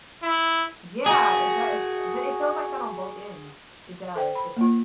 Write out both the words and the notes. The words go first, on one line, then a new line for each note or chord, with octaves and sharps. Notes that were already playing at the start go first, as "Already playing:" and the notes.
Yeah, it do but it feels like that on both ends; it does if
E4
F#4 G#4
A4 C5 G5
B5
A#3 F4